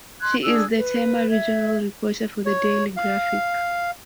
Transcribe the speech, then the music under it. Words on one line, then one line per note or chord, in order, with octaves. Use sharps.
She is the Tema regional reporter for the Daily Graphic.
C6 F#6 G#6
D4 G#4 E6 F#6
B4
E5 G#6
C#5
F5